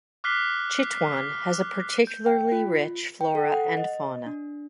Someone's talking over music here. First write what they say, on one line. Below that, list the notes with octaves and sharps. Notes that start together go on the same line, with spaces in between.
Chitwan has a particularly rich flora and fauna.
D6 F6 F#6 B6 C7 G7
G6
G5
F4
G5
A4
F#5
D#5
D4